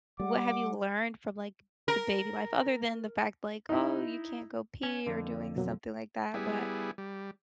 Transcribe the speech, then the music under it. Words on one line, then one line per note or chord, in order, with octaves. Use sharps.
what have you learned from, like, the baby life other than the fact like, oh, you can't go pee or doing something like that, but,
G3 F#5 D6
A#4
D#4 E4
C#4
F2 D3 A#3
B2 F#3 A#3
G3 B3 E4 G#4
G3